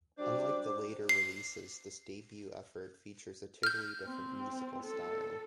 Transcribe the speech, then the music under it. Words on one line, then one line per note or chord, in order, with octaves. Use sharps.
Unlike the later releases this debut effort features a totally different musical style.
F#3 G3 D4 C5 D6
C7
F6 G6
C4
A4